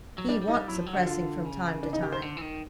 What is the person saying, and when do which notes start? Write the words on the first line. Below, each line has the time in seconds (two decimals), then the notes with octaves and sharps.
He wants suppressing from time to time.'
0.18 F#3
0.29 G3 D4
0.42 G3
0.48 D#4
0.55 G3
0.68 F#3 E4
0.77 F3
0.86 F#3
0.93 F#4
0.96 D3
1.06 F4
1.45 C#3
1.83 D4
1.93 D#4
2.02 G4
2.12 C5
2.22 D3
2.37 E3
2.41 D#3